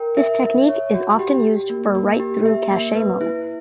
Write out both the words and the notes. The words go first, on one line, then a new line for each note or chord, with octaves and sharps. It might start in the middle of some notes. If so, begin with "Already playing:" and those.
This technique is often used for write-through cache memories.
Already playing: A#4 G5
E5
E5
C#5
F#4
G4
G4
A#3
A#3
G4
E5
A#3
B4
E4